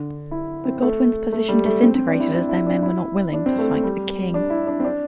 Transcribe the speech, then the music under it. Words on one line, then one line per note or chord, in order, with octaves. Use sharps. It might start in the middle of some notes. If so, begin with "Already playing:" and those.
The Godwins' position disintegrated as their men were not willing to fight the king.
Already playing: D3
E4
C4
A3
A3
G3
A3
C4
C4
D4
E4
D4
E4
D4
E4
D4
C4
A3
G3
D4
E4
D4
C4
D4